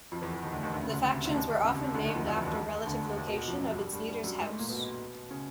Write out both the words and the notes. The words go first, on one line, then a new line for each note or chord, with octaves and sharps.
The factions were often named after relative location of its leader's house.
F2 F3
E2 E3
E2 E3
D#2 D#3
D2 D3
D#2 D#3
D2 D3
C#2 C#3
D2 D3
C3
D2 D3
D#2 D#3
D#2 D#3
C#2 C#3
C3
D2 D3
D#2 D#3
F2 F3
F#2 F#3
E2 E3
D#2 D#3
D2 D3
D#2 D#3
B2
B2
F2 F3
F#2 F#3
F#2 F#3
G2 G3
G2 G3
G2 G3
F#2 F#3
G#2 G#3
A2 A3
A#2 A#3
B2 B3
C#3 C#4